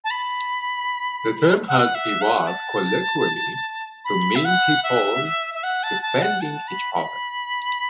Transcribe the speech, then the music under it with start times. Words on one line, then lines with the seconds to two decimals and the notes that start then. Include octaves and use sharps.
The term has evolved colloquially to mean people defending each other.
0.04 A5
0.11 B5
1.68 F#5
1.95 E5
2.22 F#5
2.47 A5
4.05 B5
4.35 E5
4.45 F#5
4.84 E5
5.54 E5
5.63 F#5
5.83 A5
6.02 A5
6.22 F#5
6.41 A5
6.68 B5
6.94 B5